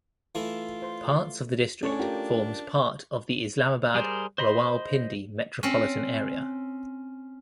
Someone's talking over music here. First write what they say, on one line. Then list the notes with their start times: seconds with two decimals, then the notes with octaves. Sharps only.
Part's of the district form's part of the Islamabad Rawalpindi metropolitan area.
0.35 E3 A3 E4 F4
0.82 C5 C6
1.83 A2 C#4 D4 C#6
1.99 F4 G4 A#4
3.95 G3 G#4 A#4 C5
4.38 C5 D#5 B5 C6
5.63 C4 C#4